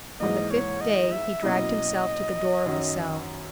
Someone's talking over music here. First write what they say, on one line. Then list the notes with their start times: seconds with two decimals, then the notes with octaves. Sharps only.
On the fifth day he dragged himself to the door of the cell.
0.20 G#2 E3 A#3 D#5
0.51 C#5
0.81 D#5
1.12 E5
1.43 B2 F#3 A#3 C#4 E4 D#5
2.65 F#2 D#3 F#3 C#4